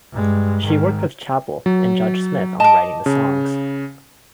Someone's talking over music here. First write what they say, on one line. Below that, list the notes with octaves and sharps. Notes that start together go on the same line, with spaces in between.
She worked with Chappell and Judge Smith on writing the songs.
G2 G#3
G#2 D#3
F#3
D#5 A5 D6
C#3